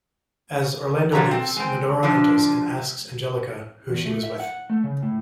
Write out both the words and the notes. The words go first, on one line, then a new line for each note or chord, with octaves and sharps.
As Orlando leaves, Medoro enters and asks Angelica who she was with.
D3 F3 F#3 E5 A#5
C4 A4
G#3 C4
D3 F3 D4
E2
A3
E5
F#5
A3
C#3
A2